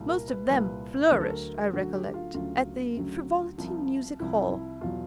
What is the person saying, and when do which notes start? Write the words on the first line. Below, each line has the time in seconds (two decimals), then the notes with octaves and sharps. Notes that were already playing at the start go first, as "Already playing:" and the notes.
Most of them flourished, I recollect, at the Frivolity Music Hall.
Already playing: C2 A#2 G3
0.08 A#4
0.28 B4
0.50 C2 A#2 G3 B4
1.11 D2 D3 F#3 A#4
1.21 A4
1.30 A#4
1.73 D2 D3 F#3 F#4
1.94 G4
2.14 F4
2.34 D2 C#3 F#3 F4
2.96 D2 C#3 F#3
3.58 C2 C3 F3
4.20 C2 C3 F3 E4
4.51 E4
4.81 E2 B2 F#3 F4